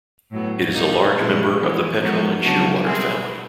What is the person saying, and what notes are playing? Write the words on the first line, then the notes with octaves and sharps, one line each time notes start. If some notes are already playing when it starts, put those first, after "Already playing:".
It is a large member of the petrel and shearwater family.
A2 F#3 B3
B2 G3 A#3 D#4
A#2 F3 G#3 C4 E4
E3 G#3 B3
F3 G#3 B3 D#4 F#4
C#3 F#3 B3 D4 F#4
B2 G3 C4 E4 G#4